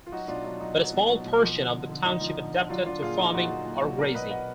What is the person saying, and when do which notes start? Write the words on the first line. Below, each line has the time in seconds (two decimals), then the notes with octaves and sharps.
But a Small portion of the Township adapted to farming or grazing.
0.07 F4
0.12 F#3 D#4 F#4
0.28 B2 D4 F4
0.44 F#3 D4
0.60 F#3 D#4
0.77 F#3
0.93 B2
1.09 F#3
1.26 B2
1.41 F3
1.57 D3
1.74 D3
1.89 D3
2.06 D3 D#4
2.21 F3
2.38 D3
2.54 D3
2.70 F#3 D4 F4
2.86 F#3 D4 F4
3.02 A#2 F4 G#4
3.18 F#3 D#4
3.26 F4
3.34 A#2 D#4 F#4
3.51 A#2
3.66 A#2
3.83 F#3
3.99 B2 A#4 D5
4.15 B2 B4 D#5
4.31 F#3 D#5 F#5